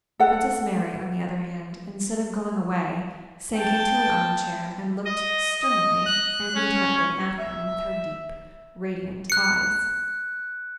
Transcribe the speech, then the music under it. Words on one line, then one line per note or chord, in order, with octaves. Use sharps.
Princess Mary on the other hand instead of going away sank into an armchair, and looked sternly and intently at him with her deep, radiant eyes.
A4 F#5
G5 A5
D#5
D#5
F#6
C#4
E5
F#6 C#7